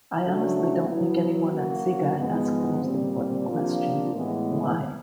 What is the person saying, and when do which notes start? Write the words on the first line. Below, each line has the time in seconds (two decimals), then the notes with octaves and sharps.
I honestly don't think anyone at Sega asked the most important question: 'Why?
0.23 C#3 F#3 A3 D4 F#4
0.89 F#3 B3 E4
1.53 F#3 A#3 C#4 F#4
2.18 G#2 F3 G#3 B3
2.83 A#2 G3 C4
3.48 C3 F3 A#3 D4 F4
4.13 A2 E3 G#3 B3